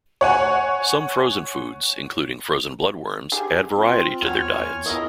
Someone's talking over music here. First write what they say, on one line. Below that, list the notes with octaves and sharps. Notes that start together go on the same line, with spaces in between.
Some frozen foods, including frozen blood worms, add variety to their diets.
C#5 F#5 G#5
G4 G#4 G#5
C4 F4
E2 C4 F#4 C#5 G#5 F6
B3 E4 F4 G#4 A#4 D#5